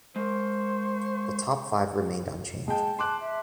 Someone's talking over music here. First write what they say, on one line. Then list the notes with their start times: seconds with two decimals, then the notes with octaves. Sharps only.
The top five remained unchanged.
0.16 G#3 A#4 C5 F5 C6 C#6
2.68 G#3 G5 A5
2.99 C6 D6 F#6
3.20 E5